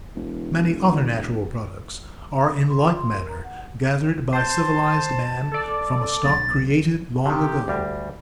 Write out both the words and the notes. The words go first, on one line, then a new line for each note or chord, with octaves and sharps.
Many other natural products are in like manner gathered by civilized man from a stock created long ago.
E1
C6
F4
C6
A#4
A#5
F#5
C5 A5
A4 D5
B1 A6
C3 D#3 G4
D2 G3